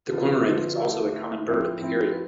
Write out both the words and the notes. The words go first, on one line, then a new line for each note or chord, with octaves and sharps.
The cormorant is also a common bird in the area.
D3 F3 B3 F4
D3 F3 B3 F4
A3 E4 A4
A3 E4 A4
A2 F3 C4 E4
A2 F3 C4 E4
B4